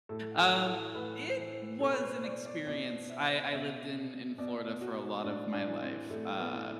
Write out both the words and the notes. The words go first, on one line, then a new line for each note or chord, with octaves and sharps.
Um, it was an experience, I I lived in in Florida for a lot of my life, uh,
A2 A4
A4
E3
A4
A2 B4
E3
B2 A4
B4
C5
D5
D5
B2 D5
E5
B2 E5
B2 D5
F#4
A2 D4
D4
E3
C4
A2 A3
B3
E3